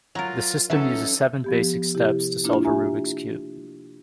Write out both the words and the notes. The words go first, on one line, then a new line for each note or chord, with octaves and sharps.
The system uses seven basic steps to solve a Rubik's Cube.
F#3 F4 A#4 A#5
E3 F#3 C#4 D#4 A4 E5 A5
F3 B3 G4
C3 E4 G4
A#3 D4 E4 F4
G4 E5 G#5 A#5